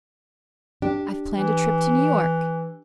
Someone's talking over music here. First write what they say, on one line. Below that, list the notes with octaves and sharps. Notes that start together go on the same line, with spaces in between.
"I've planned a trip to New York."
D4 G4
E3